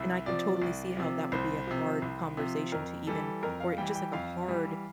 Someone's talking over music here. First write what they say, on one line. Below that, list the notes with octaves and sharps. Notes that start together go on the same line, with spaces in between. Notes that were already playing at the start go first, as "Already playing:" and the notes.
And I can totally see how that would be a hard conversation to even or, eh, just like a hard,
Already playing: C2 E5
C3 F3 D5
C2
C3 F3
C2 C5
C3 F3
C2
C3 F3
F2 A#4
E3 G3 A4
F2 A#4
F5
E3 G3 G5
G5
F2 F5
E3 G3